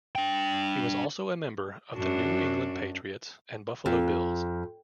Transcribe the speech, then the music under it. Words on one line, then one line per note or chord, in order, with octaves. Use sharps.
He was also a member of the New England Patriots and Buffalo Bills.
D4 G5
F#2 D4 F#4
F2